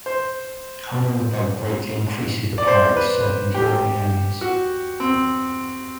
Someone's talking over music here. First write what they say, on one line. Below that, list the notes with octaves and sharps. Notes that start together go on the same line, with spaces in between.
Holding the bug greatly increases the power of certain drawing hands.
C5
D5
C5
B4
G4
F#4
C4